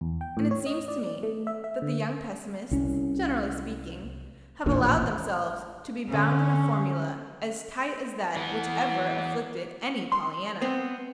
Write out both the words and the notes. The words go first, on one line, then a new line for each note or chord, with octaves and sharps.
And it seems to me that the young pessimists, generally speaking, have allowed themselves to be bound in a formula as tight as that which ever afflicted any Pollyanna.
E2
G5
A2
C#5
D#5
D5
A3
E5
E5
D3
C2 C#4
A1 D#2 A#2 D4
D3 C#4
E3 B3
C6
B3 C4